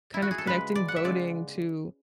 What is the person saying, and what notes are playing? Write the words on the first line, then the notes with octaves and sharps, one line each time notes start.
kind of connecting voting to
E4
F#4
G#4
A4
C#3 G#3 B4
D5
F#5
E5
C#3 G#3 D5